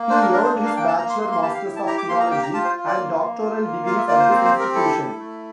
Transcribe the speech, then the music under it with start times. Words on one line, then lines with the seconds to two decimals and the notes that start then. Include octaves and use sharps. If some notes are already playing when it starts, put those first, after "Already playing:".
He earned his bachelor, masters of theology, and doctoral degrees at this institution.
Already playing: A#3
0.10 D4 C5
0.21 A#4
0.32 D4 A#4
0.44 C5
0.54 A#3
0.65 F5
0.76 A#3 G5
0.88 A5
0.98 A#3 A#5
1.10 C6
1.21 A#3 C6
1.32 C6
1.43 G4 A5
1.54 F5
1.65 E4
1.76 A5
1.87 G4 A#5
1.98 D6
2.09 A#3 C6
2.20 A#5
2.31 G4 G5
2.43 A#5
2.53 F4 A5
2.65 C5
2.76 F4
2.87 D5
2.97 A#3
3.20 A#3
3.41 F4
3.64 A#3
3.86 F4 F5
3.97 E5
4.08 A#3 D5
4.20 C5
4.30 C4 C5
4.45 C5
4.53 G4
4.60 A#4
4.75 E4 A4
4.97 E4
5.19 A3